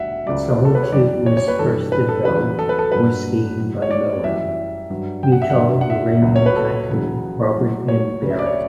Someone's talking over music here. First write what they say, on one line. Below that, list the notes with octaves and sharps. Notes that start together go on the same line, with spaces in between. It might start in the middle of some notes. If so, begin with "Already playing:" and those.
Solitude was first developed for skiing by Moab, Utah uranium tycoon Robert M. Barrett.
Already playing: D2 D3 G3 E5 F#5
C#2 C#3 F#3 D5
A4
B4
C#5
F#2 E3 G3 D5
C#5
C#5
B4
G2 E3 G3 A4
B4
A4
E2 C#3 F#3 B4
A4
B4
A4
G2 F#3 B4
A2 F#3
C#5
D5
F#2 E3 G3 E5
G2 F#3
G5
F#5
E5
F#5
F#2 D3 F#3
F#5
E5
C#2 B2 F#3
C#5
B4
A4
E2 C#3 F#3
A2 F#3
C#5
D2 C#3 F#3
E5
D5
C#5